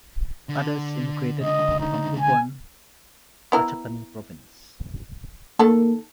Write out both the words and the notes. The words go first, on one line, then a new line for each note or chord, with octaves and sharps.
Others immigrated from Ubon Ratchathani Province.
D3
C#2 D3 D#5
D#4
G#5
B3 E4 A#4
D#3 A3 A#3 A4